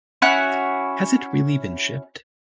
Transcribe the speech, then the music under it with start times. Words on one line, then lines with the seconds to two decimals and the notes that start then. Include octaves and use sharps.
Has it really been shipped?
0.22 C#4 E4 F#4 F#6